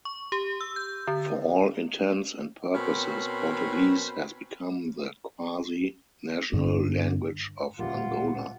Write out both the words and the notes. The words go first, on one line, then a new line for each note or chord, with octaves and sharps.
For all intents and purposes, Portuguese has become the quasi national language of Angola.
C#6
G4
E6
G6
D3
B2 C4 C#4 A#4 C5 B5
G2 D3 D4
A1 D2 A#2 G3 F4 F#5